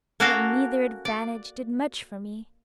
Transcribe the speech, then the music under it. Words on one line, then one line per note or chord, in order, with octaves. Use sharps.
But neither advantage did much for me.
A#3 C#4 F#4 A4 A#4 F5
D5